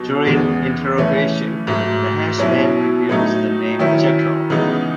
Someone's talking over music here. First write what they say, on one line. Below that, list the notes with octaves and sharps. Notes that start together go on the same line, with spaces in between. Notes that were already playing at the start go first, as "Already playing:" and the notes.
During interrogation, the henchman reveals the name "Jackal".
Already playing: B2 F#3 D#4
E2 C#3 G#3 B3
C#3 E3 A3 C#4
G#2 F#3 A3
B2 F#3 C#4 E4
A2 F#3 A3 D#4
D#3 F#3 C#4 E4
C#3 E3 G#3 B3 D#4